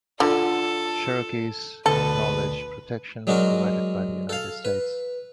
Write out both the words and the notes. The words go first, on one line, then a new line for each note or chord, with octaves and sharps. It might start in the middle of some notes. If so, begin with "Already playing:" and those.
Cherokees acknowledge protection provided by the United States.
D3 F4 A4
D2 B2 A4 B4
F#3 G#3 D4 F#4 A#4
A4 F5
B4